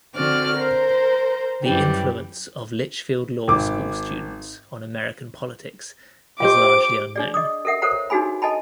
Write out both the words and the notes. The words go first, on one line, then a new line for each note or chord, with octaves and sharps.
The influence of Litchfield Law School students on American politics is largely unknown.
D3 C4 F#4 D5 F6
A#4 C5
F#2 E3 G3 G4
G#1 D6
F4 G4 C5 D#5 G5 D6
D4 G#4 D5
D#5 D6 D#6
A4 A#4 E5 F#5
A4 A#4 C5 C#5 F#5 A#5
D4 D#4 F#4 G#4 G#5 B5
A4 D#5 G#5 A5 B5